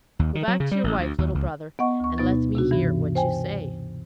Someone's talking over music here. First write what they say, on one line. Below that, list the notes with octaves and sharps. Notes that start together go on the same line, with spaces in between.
Go back to your wife, little brother, and let me hear what you say.'
D#2
D#3
F#3
C#3
G3
A1
D2
D#2
C#2
B3 D#5 F#5 C#6
D2 C#6
B2 B3 D#4 A6
C3 D4 F#4
G2 E3
C5 G5 G#5